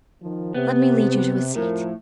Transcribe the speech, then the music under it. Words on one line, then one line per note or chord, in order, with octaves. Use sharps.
Let me lead you to a seat.'
D#3 F3
C3 B3
F2 A2 F3 A#4